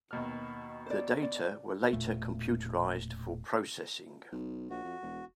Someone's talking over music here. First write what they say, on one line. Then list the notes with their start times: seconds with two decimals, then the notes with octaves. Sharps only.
The data were later computerized for processing.
0.11 D#2 B2 F6
0.86 C5 D5
1.22 D5
1.93 E1 A#2 A3
4.32 B1
4.70 A#1 F#4
4.84 F2
5.02 E1